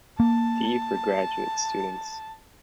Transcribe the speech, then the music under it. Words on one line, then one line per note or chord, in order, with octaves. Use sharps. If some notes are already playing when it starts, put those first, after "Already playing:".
D. for graduate students.
A#3 A5